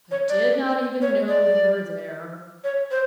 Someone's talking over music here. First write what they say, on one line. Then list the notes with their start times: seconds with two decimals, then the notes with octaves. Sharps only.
"I did not even know you were there."
0.11 C#5
0.29 D5
1.02 C#5
1.28 D5
2.64 C#5
2.91 C5